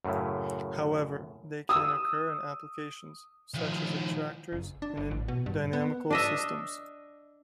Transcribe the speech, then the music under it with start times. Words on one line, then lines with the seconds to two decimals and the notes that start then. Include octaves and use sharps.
However, they can occur in applications, such as attractors in dynamical systems.
0.05 F#2 A2 C#3 E4
1.69 D#6 E6
3.54 D#3 F3
4.52 F#1
4.82 D4
4.97 G1
5.11 A1
5.28 B2
5.46 G2
5.73 B3
6.11 D4 D#5 E5